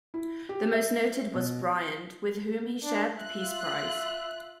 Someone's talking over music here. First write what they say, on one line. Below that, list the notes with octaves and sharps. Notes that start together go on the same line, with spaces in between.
The most noted was Briand, with whom he shared the Peace Prize.
E4
G4
E5
B2
D4
F4 E5 F#6